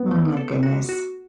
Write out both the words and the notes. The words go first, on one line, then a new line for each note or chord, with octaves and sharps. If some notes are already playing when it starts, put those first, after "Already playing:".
Mm, my goodness.
Already playing: B3
A3
A4
F#4
F#4